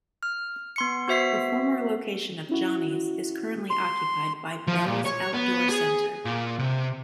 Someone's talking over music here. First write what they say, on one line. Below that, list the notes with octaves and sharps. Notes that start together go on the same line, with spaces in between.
The former location of Johnny's is currently occupied by Bill's Outdoor Center.
F6
B3 C6 C#7
B3 F#4 C5 E5 B6 C7
C#4 E4 F#4
C6
F3
A#2
C#5
B3
G#4
A#2
C3